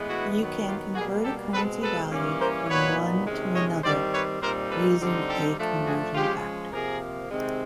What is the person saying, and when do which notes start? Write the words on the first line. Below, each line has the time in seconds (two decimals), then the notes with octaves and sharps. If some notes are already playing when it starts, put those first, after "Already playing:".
You can convert a currency value from one to another using a conversion factor.
Already playing: A2 E3 G#3 B3
0.09 E4 F#4
0.38 D#3 F#3 B3
0.67 F4 G4
0.95 B2 G3 A#3 F#4 G#4
1.24 G4 A4
1.53 B2 G#3 C4 A4 B4
1.82 A4 B4
2.11 E3 G3 A#3 C#4
2.39 A#4 C5
2.68 A#2 F#3 B3 D#4 B4 C#5
3.26 C3 D#3 G#3 C#4
3.55 C#5 D#5
3.83 D#3 G3 C4 C5 D5
4.13 B4 C#5
4.41 A#2 G3 C4 D#4 A#4 C5
4.70 A4 B4
4.99 D3 G3 C4 D#4
5.28 G4 A4
5.57 F3 A3 D4
5.85 F#4 G#4
6.14 F3 G#3 C#4 F4 G4
6.72 C3 F3 A#3 G#4 A#4
7.30 C3 D#3 G#3 C4